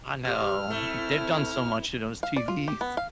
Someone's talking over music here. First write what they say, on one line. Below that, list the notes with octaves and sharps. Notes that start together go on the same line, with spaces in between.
I know, they've done so much to those TVs.
C3 G4 F6
A3 C4 E4
F5
D5
F4
G4
B3
F5